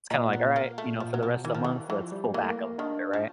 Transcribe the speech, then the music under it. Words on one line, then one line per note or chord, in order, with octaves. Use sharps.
it's, kinda like, "Alright," you know, "for the rest of the month, let's pull back a little bit," right?
A#2 D#4
B3
A#3
A3
A#2
F3
B2 F#3
F3
D#3 E3
F3
E3
E3 F3
G3
E3 A#3
A3
A#3
D#3 D4
F3